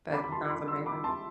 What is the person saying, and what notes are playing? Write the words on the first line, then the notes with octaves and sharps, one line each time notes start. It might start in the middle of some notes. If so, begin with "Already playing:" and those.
that sounds amazing.
B5 D6
B5
A5 C6
B5 D6
C6 E6
B5 D6
A5 C6